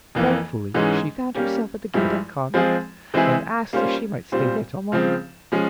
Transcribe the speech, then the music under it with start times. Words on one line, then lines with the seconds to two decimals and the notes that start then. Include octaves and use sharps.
Thankfully she found herself at the gate of a convent, and asked if she might stay there till morning.
0.15 F2 E3 A#3
0.74 G#2 E3 G#3 C#4
1.35 G3 A#3 C#4 G4
1.94 G2 F3 G#3 E4 G4
2.54 F3 G#3 C4 F4 G#4
3.14 E3 G#3 C4 E4 G#4
3.73 G3 A#3 C#4 F4 C5
4.32 A#2 G3 C4 F4 C5
4.92 C#3 F3 C4
5.52 F3 G#3 C#4